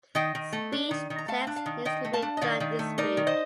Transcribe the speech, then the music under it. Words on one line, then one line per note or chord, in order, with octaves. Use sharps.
Speech to text needs to be done this week.
D#3 D#5 G5
D#3
A3
D4
D#3
D#3
A#5
A3 F5 A5
D4
F5 A5
D#3
D#3 D#5 G5
A3
F5 A5
D4
D#5
D#3 D5 F5
D#3
A3
D#4 A#4 D5
D#3
C5 D#5